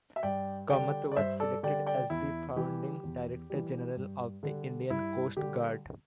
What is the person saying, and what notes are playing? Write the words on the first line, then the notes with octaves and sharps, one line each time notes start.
Kamath was selected as the founding Director General of the Indian Coast Guard.
E5
G2 D5 G5
D3 G3 D5 G5
D5
G2 C5 E5
A4 D5
D3 G3 D5 G5
D5 G5
E2 E4
E3 G3 G4
E2
E3 G3
G2
D3 G3
G2 E4
D3 G3 G4